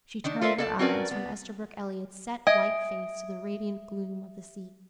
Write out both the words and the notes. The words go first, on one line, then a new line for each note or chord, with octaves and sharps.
She turned her eyes from Esterbrook Elliott's set white face to the radiant gloom of the sea.
D#3 D4
F4 A4 A#4 C5 D5 E5
A4 D5 A5
C4 C#4 F#4 A#4 B4 D5
B3
D#5 E5 G#5 D#6 D7